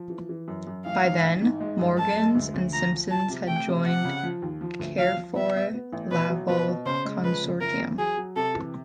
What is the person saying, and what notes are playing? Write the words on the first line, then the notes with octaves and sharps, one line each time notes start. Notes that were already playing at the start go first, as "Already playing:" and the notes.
By then, Morgan's and Simpson's had joined the Carrefour Laval consortium.
Already playing: F3
E3
E3
F#2
F#2
A1 F5
G#2
A1
G#2
G#3
F#2
F#2 A5
G#3
D2
D2
F3 A#5
F3
F3 A5
C3
A3 G5
C3
F3 F#5
C#3
F3
D#2
F3
D2
F3 F5
F3
B3 E5
B3
B3
A1
B2 B4
F#3
B2 B4
B2
C#3 C5
G#3
F3 B4
C#3
F#1 A#4
E2
F#3 G#4
F#3
C3 A4
E3